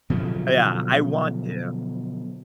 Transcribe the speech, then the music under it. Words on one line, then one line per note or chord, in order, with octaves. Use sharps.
Yeah, I want to.
B2 D3 F3 F#3